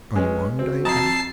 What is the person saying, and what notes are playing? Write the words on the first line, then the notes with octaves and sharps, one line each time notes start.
"Are you armed?" I asked.
G#3 C#4 B4
C4 F#4
F2 A5 A#5 D#6 C7